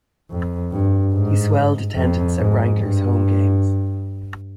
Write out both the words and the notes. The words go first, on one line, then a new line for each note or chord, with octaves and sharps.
He swelled attendance at Wranglers home games.
F2
G2
G#2
F2
G#2
G2